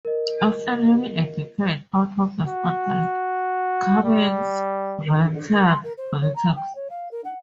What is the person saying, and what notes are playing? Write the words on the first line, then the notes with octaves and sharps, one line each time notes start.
After nearly a decade out of the spotlight, Cummings reentered politics.
A#4 D#5
F#4
G3
A#4
C6
A#4
C5
C#5
A#5
G5
C#5
F5
A#4
F#5